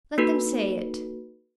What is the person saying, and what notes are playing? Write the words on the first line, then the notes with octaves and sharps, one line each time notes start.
Let them say it.
A#3 D#4 F#4 A4 B4